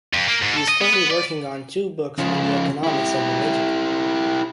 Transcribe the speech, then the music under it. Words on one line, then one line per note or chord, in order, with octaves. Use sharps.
He is currently working on two books on the economics of religion.
F2
A#3
G#2
A4
D#5
B3
B3
D5
C#3 F3
E4 G4